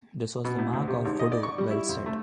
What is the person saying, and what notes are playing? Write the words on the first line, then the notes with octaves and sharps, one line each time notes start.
This was the mark of the voodoo, Welles said.
B2
A2
D2
C3
G#1
D#5
D5
C#6
G3
E4
F2
A3